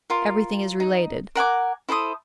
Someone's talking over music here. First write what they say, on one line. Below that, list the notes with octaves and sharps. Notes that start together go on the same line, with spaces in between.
Everything is related.
F4 A#4
D#4
A#4 F#5 G#5 D6
E4 A4 C5 D#6